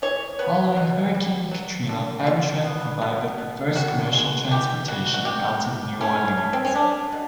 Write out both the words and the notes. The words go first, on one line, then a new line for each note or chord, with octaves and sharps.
Following Hurricane Katrina, Amtrak provided the first commercial transportation out of New Orleans.
E3 C#5
B3 B4
B2
G3
F#3
D3
B2 F4
B3
B2
B2
C3 F#4
G#3
E3 G4
C#3 F#4
F#4
C3 G4
C3
A3 C#4
A3
C4
C#4
A3 D4
B2